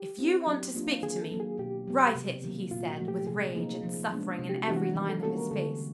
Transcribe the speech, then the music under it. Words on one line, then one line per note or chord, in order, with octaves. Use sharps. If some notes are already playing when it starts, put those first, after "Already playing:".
"If you want to speak to me, write it!" he said, with rage and suffering in every line of his face.
Already playing: G4
C4 E4
F#3
A#3 D4 F4
D#3 G#4
A4
F#3 A#3
G#4
B2 G4
F#3 B3
C3
D#3 F#3 A#3
A#2 F4
F#4
F3 A3
G4
C3 G#4
F3 A#3 D#4
F3
G#3 B3 D4
C3
G4
F#4
E3 G#3 B3 D4 G4
F#4
D#3 G4
A4
G3 A#3 C#4 F#4 A4
A#4
D3 A4